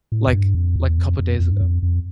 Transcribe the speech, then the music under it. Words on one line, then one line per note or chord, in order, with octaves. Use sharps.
like like, couple days ago.
A2
F2
G2
F2
E2
F2
F2
F2
G2
F2
F2